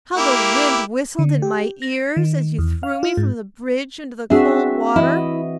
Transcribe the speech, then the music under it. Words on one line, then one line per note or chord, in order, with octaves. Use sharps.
How the wind whistled in my ears as you threw me from the bridge into the cold water!
A#3 E4 G4
D3
G4
A#6
D#3
E2
F5
F4
G#2
C4 D4 F#4 G#4 E5
E3 E4 D#5